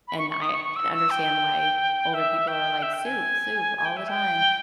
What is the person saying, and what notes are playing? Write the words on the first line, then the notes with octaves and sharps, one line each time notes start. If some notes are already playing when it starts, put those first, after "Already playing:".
and I can understand why older people are like, "Soup, soup all the time,"
B5
C#6
C#6
D#6
C#6
C#6
E6
E6
G5
E5
G5
E5
G5
G#5
G#5
G5
E5
G5